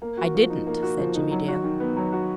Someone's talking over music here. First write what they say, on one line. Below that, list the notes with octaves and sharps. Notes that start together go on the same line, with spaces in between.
"I didn't," said Jimmie Dale.
A#3
F#4
F3
D#4
A#3
F#4
F3
D#4
F#3
F#4
D#3
B3
F#3
F#4